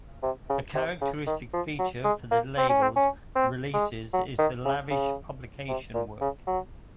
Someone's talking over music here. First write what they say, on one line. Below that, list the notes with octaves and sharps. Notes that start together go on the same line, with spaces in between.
A characteristic feature for the labels releases is the lavish publication work.
C3
C#3
C3
C#3
D#3
F3
F#3
G#3
A#3
C4
C#4
C4
C#4
C4
G#3
F#3
D#3
C#3
C#3
C3
A#2
C#3
F#3